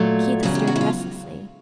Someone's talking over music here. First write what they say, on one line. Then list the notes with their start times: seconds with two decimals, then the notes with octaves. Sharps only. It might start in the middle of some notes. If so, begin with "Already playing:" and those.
Keith stirred restlessly.
Already playing: A#2 F#3 A3
0.43 E2 C#3 F#3 G#4
0.55 G4
0.67 F#4
0.76 E4
0.81 F4